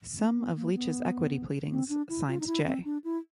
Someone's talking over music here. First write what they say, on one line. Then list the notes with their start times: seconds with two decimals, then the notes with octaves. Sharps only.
Some of Leach's equity pleadings, signed 'J.
0.17 A#3
0.37 B3
0.56 A#3
0.75 B3
1.70 C4
1.89 D4
2.09 E4
2.28 F4
2.40 D#4
2.47 E4
2.65 C4
2.85 D4
3.04 E4